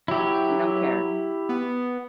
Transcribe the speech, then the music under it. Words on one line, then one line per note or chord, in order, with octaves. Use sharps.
You don't care.
F#3 E4 G4
B3